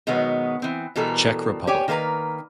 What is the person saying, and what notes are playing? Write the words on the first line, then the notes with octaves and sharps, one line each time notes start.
Czech Republic.
B2 D#3 F#3 G#3 B3
E3 C4
B2 E3 G3 A4 A#4
G4 C#5 D5 G5 G#5
D#3 A#3 B4 C5 A#5